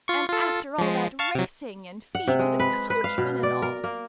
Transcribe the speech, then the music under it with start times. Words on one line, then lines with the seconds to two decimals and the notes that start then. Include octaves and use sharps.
And after all that racing and fee to the coachman and all!
0.08 F4 C#6
0.29 F4 A4
0.78 F3 G#3
1.19 F5 A5 C#6
1.35 C3 F#3
2.15 F#5
2.27 C3
2.39 G#3
2.60 B4
2.90 B4
3.04 F5
3.18 B2
3.43 D5
3.62 A#4
3.84 A#3